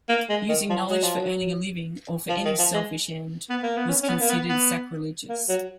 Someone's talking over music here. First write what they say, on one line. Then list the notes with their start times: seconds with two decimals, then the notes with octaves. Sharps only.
Using knowledge for earning a living or for any selfish end was considered sacrilegious.
0.09 A#3
0.30 G#3
0.49 D#3
0.69 F3
0.89 F#3
1.03 F3
1.16 F#3
2.29 F3
2.45 D#3
2.59 F3
2.74 G#3
3.50 B3
3.63 A#3
3.77 B3
3.89 C#4
4.03 C#4
4.09 B3
4.20 A#3
4.29 B3
4.49 B3
5.29 A#3
5.49 F#3